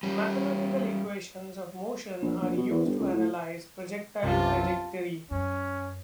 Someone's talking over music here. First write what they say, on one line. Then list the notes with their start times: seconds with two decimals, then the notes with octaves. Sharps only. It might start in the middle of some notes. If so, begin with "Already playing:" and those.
Mathematical equations of motion are used to analyze projectile trajectory.
0.03 G3 C#4
2.22 A#1
2.42 A#1
2.57 B2
2.70 E2
2.86 G1
3.00 C#2
3.13 A2
4.23 B1 F#2 C3 F4 A5
5.31 F#2 C#4